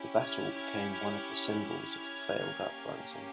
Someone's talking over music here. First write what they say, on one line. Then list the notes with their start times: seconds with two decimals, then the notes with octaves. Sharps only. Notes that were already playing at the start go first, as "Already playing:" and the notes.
The battle became one of the symbols of the failed uprising.
Already playing: C#4 E4 G4
0.17 F6 G#6
0.54 F6 G#6
0.91 F6 G#6
1.64 F6 G#6
2.38 A#3 C#4 G4